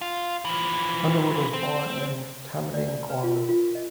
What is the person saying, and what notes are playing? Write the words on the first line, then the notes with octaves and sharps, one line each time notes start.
Underwood was born in Tamuning, Guam.
F4
E3 F3
C4
D5
D5
B4
F4
A#4
F4
D#5